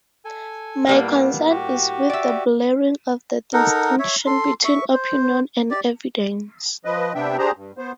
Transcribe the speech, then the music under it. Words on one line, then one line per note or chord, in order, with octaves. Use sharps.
My concern is with the blurring of the distinction between opinion and evidence.
A4 G#5
A2 G3 A#3 B3
F#4 G4
D5 E5
D#4 A4 A#4 F#5
C#5 E5
A4 C6
E5 C#6
C5
G4 D5
F3 B4 D#5
C3 B3 D4 E5 G5
D4 G4 G#4 C5 A#5
G2
B3 C5